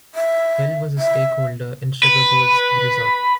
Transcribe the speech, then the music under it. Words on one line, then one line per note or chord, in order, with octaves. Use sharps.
Hill was a stakeholder in Sugar Bowl Ski Resort.
E5
E5
B4